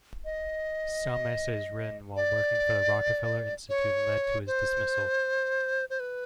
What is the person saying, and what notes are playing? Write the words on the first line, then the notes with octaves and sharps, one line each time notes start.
Some essays written while working for the Rockefeller Institute led to his dismissal.
D#5
D5
C#5
C5
C5
B4